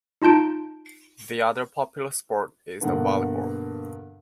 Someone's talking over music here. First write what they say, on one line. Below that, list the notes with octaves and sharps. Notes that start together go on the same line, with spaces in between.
The other popular sport is the volleyball.
D#4 F4 A5 G6 D7
G2 B2 D3 A#3 F#5